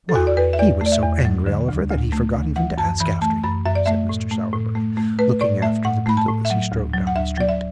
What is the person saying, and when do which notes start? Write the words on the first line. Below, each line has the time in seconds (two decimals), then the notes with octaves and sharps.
'Why, he was so angry, Oliver, that he forgot even to ask after you!' said Mr. Sowerberry, looking after the beadle as he strode down the street.
0.09 A4
0.15 E2 F#4
0.27 D5
0.37 E2 B4
0.53 E5
0.59 E2 D5
0.81 A3 D5
0.92 E5
1.03 E2
1.25 F#3
1.46 D3
1.69 D2
1.91 D2
2.12 A3
2.34 D2
2.56 E3 F#5
2.78 F#2 A5
3.00 E3 B5
3.21 A3 A5
3.44 F#2 B5
3.66 F#2 E5
3.75 D5
3.86 A3 E5
4.09 A2
4.31 A3
4.53 A2
4.75 A3
4.97 A3
5.19 A3 B4
5.41 A2 D5
5.62 A3 E5
5.84 A2 F#5
6.06 A3 B5
6.17 A5
6.28 A2
6.45 E5
6.50 F#3 F#5
6.72 D2
6.94 F#3
7.07 F#5
7.16 D2 E5
7.37 F#3 D5
7.49 E5